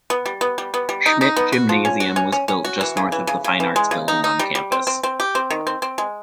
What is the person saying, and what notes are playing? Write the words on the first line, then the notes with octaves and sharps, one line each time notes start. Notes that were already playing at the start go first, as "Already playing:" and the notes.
Schmidt Gymnasium was built just north of the fine arts building on campus.
B3
G3
B3
G3
B3
G3
D#4
D#4
B3
F#4
F3
C#4
F#4
C#4
C#4
C#4
F#4
E3
C#3
E3
C#3
C#3
E3
G#3
C#3
D#4
D#4
G3
G3
C4
C4
C4
G4
C4
D#3
C4
C4
G#3